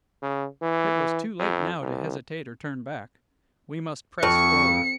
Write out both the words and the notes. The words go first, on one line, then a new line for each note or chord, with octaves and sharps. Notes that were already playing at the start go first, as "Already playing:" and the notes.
It was too late now to hesitate or turn back; we must press forward.
C#3
E3
F2
C2
F2 C#6 C#7